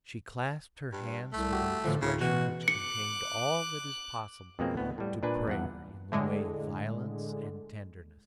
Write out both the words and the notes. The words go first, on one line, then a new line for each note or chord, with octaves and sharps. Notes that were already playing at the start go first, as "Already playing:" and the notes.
She clasped her hands with an expression which contained all that is possible to prayer in the way of violence and tenderness.
G2
C2 A3
F#4 G4
A2 D3 E3 F3
D2 A2 C#3
B2 E3 F#4
D6 F#6 C#7
F2 B2 G#3 A#3 C4
D2 A2 B3
A2 G3
A#2 D4 B4 G#5
E2 G2 F#5
A2 D3 G#3